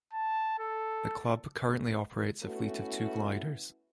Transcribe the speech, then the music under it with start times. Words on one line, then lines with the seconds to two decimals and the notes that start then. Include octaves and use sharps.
The club currently operates a fleet of two gliders.
0.13 A5
0.59 A4
2.44 A3 B3 C#4 E4 F#4